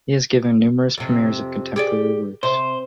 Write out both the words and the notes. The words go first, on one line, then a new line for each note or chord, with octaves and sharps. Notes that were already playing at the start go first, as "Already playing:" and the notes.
He has given numerous premieres of contemporary works.
F2 C3
G4 G#4 D5
C3 C5